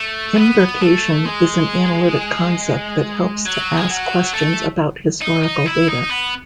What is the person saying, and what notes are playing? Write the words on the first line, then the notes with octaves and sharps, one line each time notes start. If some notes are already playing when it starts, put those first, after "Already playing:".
"Imbrication" is an analytic concept that helps to ask questions about historical data.
Already playing: A3
B3
A3
G#3
F#3
G#3
F#3
A3
D#4
D#4
E4
D#4
B3